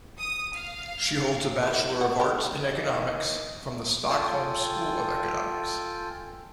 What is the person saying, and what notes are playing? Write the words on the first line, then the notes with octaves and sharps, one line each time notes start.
She holds a Bachelor of Arts in economics from the Stockholm School of Economics.
D#6
F5
E4 A#4
F#5
A4 F5 G5
D#3 E3
F4 A4 G5 G#5